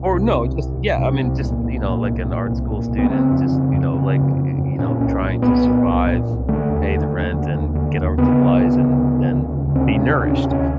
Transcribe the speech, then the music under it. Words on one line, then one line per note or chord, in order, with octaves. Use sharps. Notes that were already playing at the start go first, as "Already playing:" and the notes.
Or no, just, yeah, I mean, just, you know, like, an art school student just, you know, like, y y you know, trying to survive, m pay the rent, and get art supplies, and and be nourished,
Already playing: C2
C3
C2
C3
C2
C3
C2
A#2
C2
A#2
C2
A#2
C2
A#2
C2
B3
C#3 C4
F2
C#3
F2
C#3
F2
C#3
F2
A#2 C#4
C2 C#4
A#2
C2 B3
A#2
C2
A#2
C2
D3 A3
D#2
D3
D#2
D3
D#2
D3
D#2
C#3 B3
D2
C#3
D2
C#3
D2
C#3
D2
C4
C3 C#4
D2 D4
C3 C#4
D2 C#4